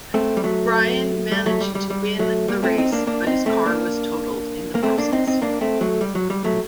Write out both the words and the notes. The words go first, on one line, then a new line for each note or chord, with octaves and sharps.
Brian managed to win the race, but his car was totaled in the process.
A3 C4
G3
F#3 A3
G3
F#3 A3
G3
G3
G3
F#3 A3
G3 A#3
A3 C4
C4 D#4
A#3 D4
A#3 D4
C4 D#4
A3 C4
A#3 D4
A#3
A3 C4
A#3 D4
C4 D#4
C4 D#4
A#3 D4
A3 C4
F#3 A3
G3
F#3
G3
F#3 A3